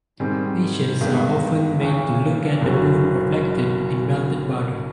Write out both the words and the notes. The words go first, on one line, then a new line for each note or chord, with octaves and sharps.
Patients are often made to look at the moon reflected in melted butter.
G#2 D#3 G3 C4
G2 D#3 G#3 B3
D2 C#3 E3
F#1 F#2 C#3 F#3